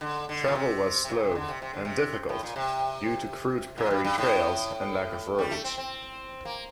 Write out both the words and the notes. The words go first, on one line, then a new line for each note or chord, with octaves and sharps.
Travel was slow and difficult due to crude prairie trails and lack of roads.
D3
D3
A#2
C3
C3
A#2
C3
D3
C3
C3
D3
C3
A2
A#2
C3
A#2
G2
G2
A2
G3
A3
C4
C4
A#3